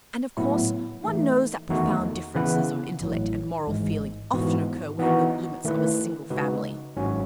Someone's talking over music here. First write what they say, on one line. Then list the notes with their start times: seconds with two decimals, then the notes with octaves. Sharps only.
And, of course, one knows that profound differences of intellect and moral feeling often occur within the limits of a single family.'
0.37 A2 F#3 B3 E4
1.04 E3 A3 D#4
1.69 E2 D#3 A3 D#4 F#4
2.35 C#3 E3 B3 E4 B4
3.01 A1 A2 F#3
3.67 G#1 G#2 E3 G#3
4.33 G#2 E3 B3 F#4
4.99 E3 B3 D#4 F#4
5.65 D#3 A3 E4 B4
6.30 C#3 G#3 D#4 F#4 B4
6.97 G#1 G#2 F#3 C#4 F#4